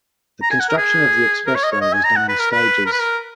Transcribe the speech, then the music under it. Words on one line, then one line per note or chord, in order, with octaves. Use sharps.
The construction of the expressway was done in stages.
A#5
G#5
F#5
A#4
G#4
A#4
C#5
D#5
C#5
D#5
G#5
A#5
F#5
B4
A#4
B4
A#4
B4
A#4